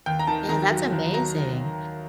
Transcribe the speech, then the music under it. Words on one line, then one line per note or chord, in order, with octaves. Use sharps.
Yeah, that's amazing.
D#2 G5
A#5
D#3 A5
D#3 A#5
F#3
D#2
F#3 A#5